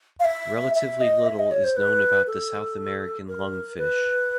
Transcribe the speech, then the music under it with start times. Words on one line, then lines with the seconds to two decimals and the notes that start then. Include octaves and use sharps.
Relatively little is known about the South American lungfish.
0.20 F5
0.25 E5
0.75 E5
1.01 D#5
1.26 E5
1.39 D#5
1.51 C#5
1.64 C5
1.77 B4
2.27 A4
3.28 A#4
3.78 B4